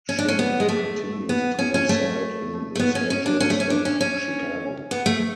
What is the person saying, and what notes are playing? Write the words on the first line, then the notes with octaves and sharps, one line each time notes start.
Shin continues to reside in Los Angeles and Chicago.
C#4
D4
C#4
B3
G#3
A3
B3
C#4
C#4
A3
A3
B3
C#4
C#4
D4
C#4
A3
C#4
D4
C#4
C#4
B3
A3